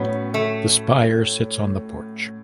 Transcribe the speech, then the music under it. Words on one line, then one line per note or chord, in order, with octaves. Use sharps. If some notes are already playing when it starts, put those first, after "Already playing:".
The spire sits on the porch.
Already playing: A2 F#3 B3 C#4
A3